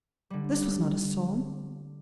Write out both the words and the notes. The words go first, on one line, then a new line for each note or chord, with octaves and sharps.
This was not a song.
D3 G3